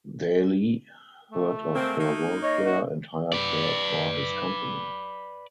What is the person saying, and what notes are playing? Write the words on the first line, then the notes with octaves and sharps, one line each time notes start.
Daly heard of her work there and hired her for his company.
A3
G#3 A#3 C4
A#3 D#4
C#5 D#5
F#4
B4 D5